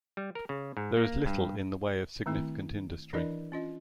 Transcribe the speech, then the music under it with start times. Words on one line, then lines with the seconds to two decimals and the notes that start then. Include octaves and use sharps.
There is little in the way of significant industry.
0.17 G3
0.35 A#4
0.49 C#3
0.77 G#2
0.97 A#3
1.26 G2
2.26 D#3 A3 C4 E4
3.13 E3 D4 E4 A#4 D5 D#5
3.52 C#4 F4 D#5